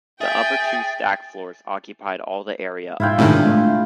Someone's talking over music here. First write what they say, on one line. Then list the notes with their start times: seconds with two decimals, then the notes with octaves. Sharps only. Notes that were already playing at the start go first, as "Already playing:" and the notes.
The upper two stack floors occupied all the area under the dome.
0.21 G#4 E5 G5 A6
3.00 G#2 E4 F4 G5
3.18 A2 C3 D#3 G#3 D4 G#4
3.47 A3